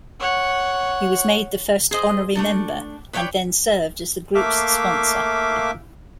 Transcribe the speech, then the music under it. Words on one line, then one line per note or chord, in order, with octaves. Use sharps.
He was made the first honorary member and then served as the group's sponsor.
C#5 F#5
G#4 C5 D#5
A3 D4 A4
B4 C#5 D5 F5 G5
A3 A#3 E5 F5 D6